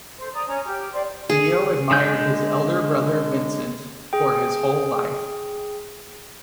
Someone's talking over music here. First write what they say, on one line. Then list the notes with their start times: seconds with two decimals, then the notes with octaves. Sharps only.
Theo admired his elder brother Vincent for his whole life.
0.18 A4 C5
0.33 D5 A#5 D#6
0.47 C#4 A#5
0.66 G4 F6
0.92 C5 D5 G5
1.30 G#4
1.91 D3 G#3 G6
4.13 G#4 G5